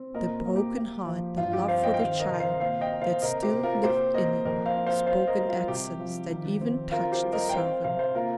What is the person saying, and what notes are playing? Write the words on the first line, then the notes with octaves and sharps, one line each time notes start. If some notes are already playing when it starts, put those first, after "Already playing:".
The broken heart, the love for the child that still lived in it, spoke in accents that even touched the servant.
Already playing: C4
A#2 A#4 D#5
A#3
G4
A#3
F3
G2 F4
G4
C4 C5 F5
D#5 G5
G5
D#3 C5 F5
A#4 D#5
C3
C5 F5
A#2 C5 F5
D#5 G5
A#3
C5 F5
C3 A#4 D#5
G4 C5
C3
F4 A#4
A#3 G4 C5
A#3 A#4 D#5
F2 A#4 D#5
C5 F5
C4
C5 F5
C4 C5 F5
A#4 D#5
G3
F4
C3 G4
F3
D#3
C4
C4 F4 A#4
G4 C5
G3
A#4 D#5
G5
C4 C5 F5
C3 C5 F5
C5 F5
A#3 F4 A#4